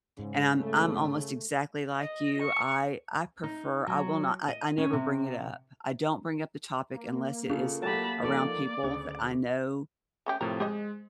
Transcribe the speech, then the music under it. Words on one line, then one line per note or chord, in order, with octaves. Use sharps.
and I'm I'm almost exactly like you, I I prefer I will not I I never bring it up. I don't bring up the topic unless it is around people that I know
G#2 C#3
A3
D#5
C#6
D#4
F#3
D#5
C#4
C3
A#3
C#3 F4 A4
F#3 A3 G4 A5 B5
F3 D#4 A4 D5
D2 C#3
A3 C#4 G4
A2 C3 F3 A#4
G#3 G4 C5 D#5